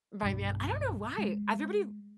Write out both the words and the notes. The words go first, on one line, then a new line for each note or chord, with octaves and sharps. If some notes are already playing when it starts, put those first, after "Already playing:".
by then I don't know why, everybody
B1 G2 G3
G#3